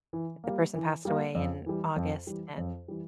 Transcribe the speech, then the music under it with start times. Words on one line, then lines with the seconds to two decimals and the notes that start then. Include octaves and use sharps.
if the person passed away in August and,
0.13 E3
0.44 G3 A#3
0.75 E3
1.05 G3 A#3
1.35 F2
1.66 E3 G3
1.96 F2
2.27 E3 G3
2.58 F2
2.88 E3 G3